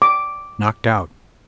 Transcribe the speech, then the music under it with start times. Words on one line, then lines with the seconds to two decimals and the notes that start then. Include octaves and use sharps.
Knocked out.
0.02 D6